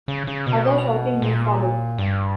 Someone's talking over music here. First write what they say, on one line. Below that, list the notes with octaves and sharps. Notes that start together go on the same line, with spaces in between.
Other shouting men followed.
C#3
C#3
B2
A#2
G2